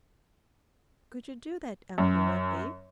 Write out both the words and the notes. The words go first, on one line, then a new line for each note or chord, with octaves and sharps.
"Could you do that, Uncle Wiggily?"
F#2